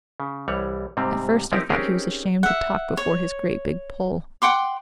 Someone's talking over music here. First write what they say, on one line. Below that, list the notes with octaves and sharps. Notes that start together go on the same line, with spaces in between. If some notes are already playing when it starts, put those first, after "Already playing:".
At first I thought he was ashamed to talk before his great big Pole.
C#3
C2 E3 G3 C#5 F#5
G#2 C3 G3 C4
F3 C4 D#4 E4 G4 A#4
C4 C#4 D#4 G4 G#4 A#4
E5 F#5
C#5
F#5 G5 C6 D6